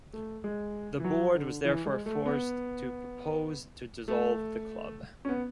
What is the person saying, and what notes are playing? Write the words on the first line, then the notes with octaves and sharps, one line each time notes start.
The board was therefore forced to propose to dissolve the club.
A3
G#3
E3
F#3
D3
E3
G#3
A3
B3
A3
C#4
B3